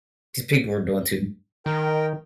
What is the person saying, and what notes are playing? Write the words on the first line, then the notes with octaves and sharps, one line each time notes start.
These people are doing too much.
D#3 A#4 G5